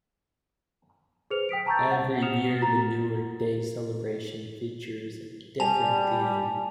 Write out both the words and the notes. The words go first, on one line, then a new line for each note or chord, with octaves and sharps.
Every year, the Newark Days Celebration features a different theme.
G#4 B4 C5 F6 C#7 F7
G5 D#6 B6 D7
A5 A#5 C#6 E6 G6 A6
F#5
D#6 F6 C#7 E7 F7
A#5 A6
G3 G#5 A5 F7